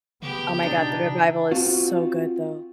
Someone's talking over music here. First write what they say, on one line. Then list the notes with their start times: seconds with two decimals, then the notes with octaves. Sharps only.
Oh my god, the revival is so good, though.
0.22 C#3 B3 G4
0.63 B2 D4 D#4
1.51 C4 F4 F#4